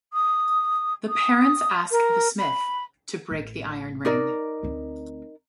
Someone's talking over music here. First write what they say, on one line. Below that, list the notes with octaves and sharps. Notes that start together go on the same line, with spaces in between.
The parents ask the smith to break the iron ring.
D#6
D#6
A#4
B5
A1
D#4 A#4 D5
D2 C4